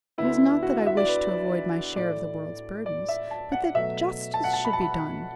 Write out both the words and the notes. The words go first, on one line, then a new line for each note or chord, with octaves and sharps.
It is not that I wish to avoid my share of the world's burdens, but that justice should be done.
D2 D3 B3 E4
F#4
E5
D5
B4
A2 A3 D5
D5
E5
A5
F#5
B2 F#3 A3 E5
A5
F#5
A5
B5
A5
B5